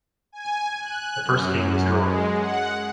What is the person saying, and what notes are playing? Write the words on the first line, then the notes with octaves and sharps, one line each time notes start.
The first game was drawn.
G#5
F#6
F#2
G#3
F#5